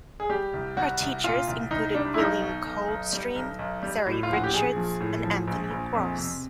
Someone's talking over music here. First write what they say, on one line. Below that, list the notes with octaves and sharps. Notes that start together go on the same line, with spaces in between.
Her teachers included William Coldstream, Ceri Richards and Anthony Gross.
G#4
G3 G4
C2
G3 F#4
C2
A#2 F4
C2
C2 D#4
G3 D4
E4
B1 D#4
B2
B1
B1
G3
B1
B1
G3
A2
F4
A#1 F#4
G4
A#1 G#4
F3
A2
F3
A#1
A#1
F2
C3